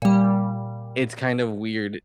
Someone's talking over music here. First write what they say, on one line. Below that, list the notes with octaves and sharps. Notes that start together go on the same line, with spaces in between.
it's kind of weird
A#2 G3